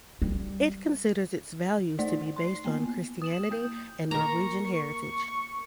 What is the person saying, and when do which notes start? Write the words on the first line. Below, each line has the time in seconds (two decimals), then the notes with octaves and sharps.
It considers its values to be based on Christianity and Norwegian heritage.
0.22 G3
1.99 A3 D#4 C5 D5
2.36 C6 C7
2.65 A#3 B3
3.22 D#6 E7 F#7
3.51 A#3 D#6 G6
4.11 A#3 A#4 A#5 C#6